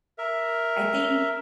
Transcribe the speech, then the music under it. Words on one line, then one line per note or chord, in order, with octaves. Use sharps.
I think
A#4 E5